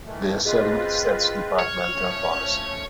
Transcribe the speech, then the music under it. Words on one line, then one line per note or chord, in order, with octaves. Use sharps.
The Assembly sets departmental policy.
D#3 E3 A3
C4 F4 G#4 B4 D#5
C#5 F6 G#6
F3 A3 C#4